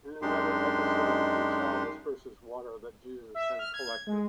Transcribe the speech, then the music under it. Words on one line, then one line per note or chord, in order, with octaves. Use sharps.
In another episode, a child disperses water that Jesus has collected.
F#2 G#3 D4 D#4 G4 C6
E5
F6
G#6
G#3